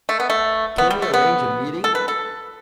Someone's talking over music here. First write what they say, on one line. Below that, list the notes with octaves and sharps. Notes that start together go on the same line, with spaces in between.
Can we arrange a meeting?
A3
B3
A3
B3
G3
A3
B3
A4
B4
A4